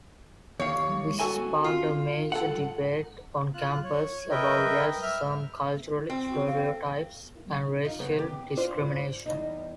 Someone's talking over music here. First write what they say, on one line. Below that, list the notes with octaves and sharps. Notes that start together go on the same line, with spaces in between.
This sparked a major debate on campus about racism, cultural stereotypes, and racial discrimination.
D#2 C#5 F5
F#4 A4 G#5
F4
A4 F#5
F4 F#6
C#5
A#4 B4 D#5 E5 G5
E5 F6
C4
F#4
F5
A4
D#4 F4
F#2 C#3 B3
G4
D4 F4 C5
E2 G3 D#4